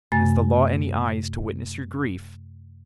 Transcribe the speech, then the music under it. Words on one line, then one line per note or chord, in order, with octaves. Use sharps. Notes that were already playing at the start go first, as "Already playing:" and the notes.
Has the law any eyes to witness your grief?
F#2 C3 A3 G#5 A6